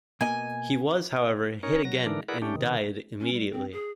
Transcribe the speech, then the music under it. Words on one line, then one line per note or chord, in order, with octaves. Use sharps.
He was, however, hit again and died immediately.
B2 A#3 D#5 G#5
C#4 D#4 A#4 C#5
F#3 A#6
D3 E3 D4 A#4
E4 G#4 A#4 B4 D5 F#5
A3 C#4 D4 G4
C3 D#3
C#4
G3
C4
G#4